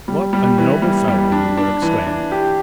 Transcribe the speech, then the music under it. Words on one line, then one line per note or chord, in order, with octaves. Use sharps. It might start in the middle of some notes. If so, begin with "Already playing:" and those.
"What a noble fellow!" you will exclaim.
G3
G3
E3
G3
G3
D4
D4
E3
D4
G4